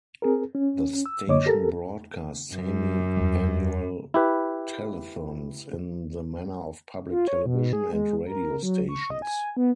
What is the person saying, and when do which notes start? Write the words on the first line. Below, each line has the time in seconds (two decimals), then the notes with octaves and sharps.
The station broadcast semi-annual telethons, in the manner of public television and radio stations.
0.22 C4 G#4 A#4
0.55 C#4
1.06 E6
1.27 F#2 D3 A#3 C#5 D#5 D6
1.46 G4 A4 A#4
2.54 F#2
3.17 E2 G3
4.14 E4 G4 B4
7.10 F4
7.28 C#5
7.46 B2
7.73 G#4
7.93 G#3
8.26 A#4
8.63 F#3
8.89 C#6
9.10 D#5
9.22 G#5
9.57 B3